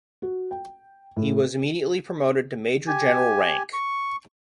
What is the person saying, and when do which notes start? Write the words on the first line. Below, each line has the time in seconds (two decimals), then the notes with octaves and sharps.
He was immediately promoted to major general rank.
0.22 F#4
0.51 G5
1.16 A2
2.87 G4 G#5
3.73 C#6